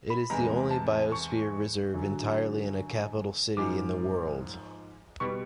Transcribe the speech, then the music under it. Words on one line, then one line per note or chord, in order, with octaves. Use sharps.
It is the only Biosphere Reserve entirely in a capital city in the world.
B5
E2 C3 E3 G#3 A#5
A5
C#6
F#2 D3 F#3
G#2 F3 G#3 D6
B2 G3 C#6